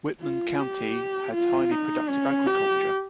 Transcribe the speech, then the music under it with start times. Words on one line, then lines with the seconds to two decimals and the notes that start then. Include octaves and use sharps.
Whitman County has highly productive agriculture.
0.21 F4
0.59 G4
1.34 F4
1.71 D#4
2.09 C#4
2.47 G4